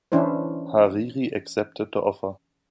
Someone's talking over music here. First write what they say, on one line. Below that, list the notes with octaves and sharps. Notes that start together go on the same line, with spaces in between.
Hariri accepted the offer.
E3 C#4 D4 E4 C5